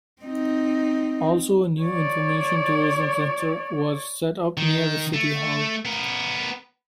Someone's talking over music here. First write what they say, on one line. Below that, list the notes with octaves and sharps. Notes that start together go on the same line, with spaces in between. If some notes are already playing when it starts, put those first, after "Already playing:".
Also a new Information Tourism Center was set up near the City Hall.
C4 D#4
C#5 D5
D#3
A3
B3 A#4